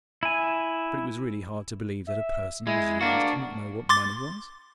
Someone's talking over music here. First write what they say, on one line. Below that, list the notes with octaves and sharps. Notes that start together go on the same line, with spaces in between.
But it was really hard to believe that a person of his years did not know what money was.
E4 G#5
E5
G#3 E4
A#3 D4 F#4
C6 D6 A6